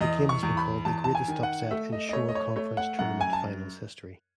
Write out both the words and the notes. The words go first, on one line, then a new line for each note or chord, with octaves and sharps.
The game has been called the "Greatest upset in Shore Conference Tournament Finals History".
E2 D#5
C#6
E2
B5
E2 A5
A5
G#5
D#3
F#5
A3 E5
D#5
D#5
A3 C#5
D#5
C#5
A3 C#5
F#5
F#2 F#5
G#5
A5